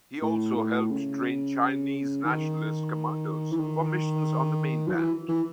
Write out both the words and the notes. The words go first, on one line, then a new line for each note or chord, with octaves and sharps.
He also helped train Chinese Nationalist commandos for missions on the mainland.
A2
A2
C#3
D#3
E3
D#3
F#3
E3
E3